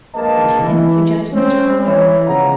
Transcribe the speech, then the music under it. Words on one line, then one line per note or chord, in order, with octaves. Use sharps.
"Lieutenant?" suggested Mr. Carlyle.
A#1 G#3 A#3 B4 D#5 A5
E3
C4 C#4
E3 C#5
C#3 F3 G#3 B3 F#5 A#5